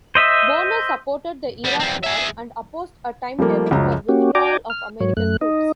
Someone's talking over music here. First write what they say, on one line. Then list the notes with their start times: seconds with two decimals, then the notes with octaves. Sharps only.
Bonner supported the Iraq war and opposed a timetable for withdrawal of American troops.
0.15 C5 D#5 E5
1.64 G3 B3
1.80 E2 C4
2.04 G#4 E5
3.38 F3 G3 A3 A#3
3.71 C#2 F#2 F3 F#3 A#5
4.09 A#3 C#4 F#4 G4
4.35 F#4 D5 G5 G#5 A#5 D6
4.70 F6
5.00 G#2 F#3 C#5
5.17 F#2 A3 F#6
5.41 D#4 D#5